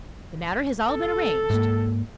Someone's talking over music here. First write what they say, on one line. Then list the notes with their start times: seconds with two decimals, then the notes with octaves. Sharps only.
The matter has all been arranged.
0.89 A4
1.50 G#2 A#3